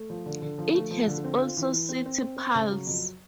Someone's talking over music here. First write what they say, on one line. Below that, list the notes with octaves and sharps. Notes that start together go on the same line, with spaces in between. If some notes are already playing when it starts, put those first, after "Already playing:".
It has also City Pulse.
Already playing: A3
F3
D3
D3
F3
A3
F3
D3
C4
F4
E3
E3
C4
C4
C4
C4
C#3
F#3
F2